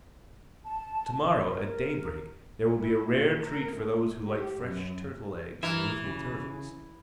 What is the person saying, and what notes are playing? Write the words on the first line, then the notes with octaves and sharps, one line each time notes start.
"Tomorrow, at daybreak, there will be a rare treat for those who like fresh turtle eggs and little turtles!"
A5
A#4
E4
A#2
A#4
A3
G4
F#2
E3 A#4 E5
C#3